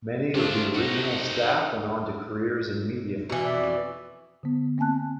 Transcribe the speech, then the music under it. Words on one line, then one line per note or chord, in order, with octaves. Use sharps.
Many of the original staff went on to careers in media.
A3 C4 D4 F4
D#4 F#4
B2 E3
F2 D5 E5
D3 B3
A#3 C4 G#5 A5 F#6